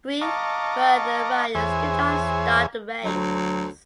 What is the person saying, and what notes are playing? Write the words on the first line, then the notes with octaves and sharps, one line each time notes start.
Three further riders did not start the race.
D#5 F5 A5 A#5 C#6 D6
E2 G#4 C5 C#5 E5 G#5
D2 F#3